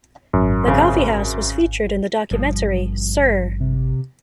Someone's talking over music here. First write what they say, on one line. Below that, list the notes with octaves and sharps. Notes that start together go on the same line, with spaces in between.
The coffee house was featured in the documentary Sir!
G#1 F#2
C#3 C4
G#1 G2 B2 F3
C3